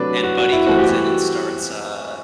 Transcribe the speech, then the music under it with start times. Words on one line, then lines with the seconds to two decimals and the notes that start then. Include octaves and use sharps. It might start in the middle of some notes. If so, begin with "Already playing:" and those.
and Buddy comes in and starts, uh
Already playing: C3 F#3 A3 D4 B4 D5
0.23 F#4
0.38 F#4
0.52 E4
0.66 E3 A3 C4 F#4
0.78 G4
0.88 F#4